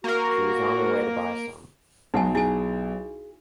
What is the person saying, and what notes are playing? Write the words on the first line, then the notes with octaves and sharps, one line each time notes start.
She was on her way to buy some.
A#3 F#4 A#4
B1 F#3 G#3 D#4 F#5 G#5
E4 G#4 G#5